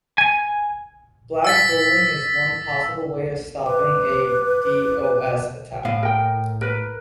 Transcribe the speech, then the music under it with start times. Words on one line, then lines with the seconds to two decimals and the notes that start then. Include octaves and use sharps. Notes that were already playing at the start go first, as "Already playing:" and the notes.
Black holing is one possible way of stopping a DoS attack.
0.18 G#5
1.45 E6 A6 B6
3.66 B4 D6
5.85 A2 F5
6.03 A#4 G5
6.61 A#4 B4